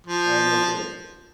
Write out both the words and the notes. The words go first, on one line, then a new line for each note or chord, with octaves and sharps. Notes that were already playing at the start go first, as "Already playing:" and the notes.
Oh, no kidding.
F3